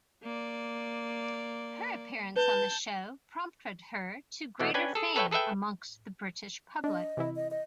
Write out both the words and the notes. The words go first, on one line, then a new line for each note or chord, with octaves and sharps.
Her appearance on the show prompted her to greater fame amongst the British public.
A#3 D5
B4 A5 G6
B2 E3 G#3 A3 B3
C#4 D4 B4 G5 G#5
G#4 A4
A4 B4 C#5 E5 G5 A5
G#4 A4 B4 E5 G5
D4 D#5
C3 E3 E4
D#5
D#5